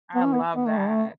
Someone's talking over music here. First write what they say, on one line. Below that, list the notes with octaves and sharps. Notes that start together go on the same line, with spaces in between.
I love that.
B3
C#4
B3
B3
A3
G3
A3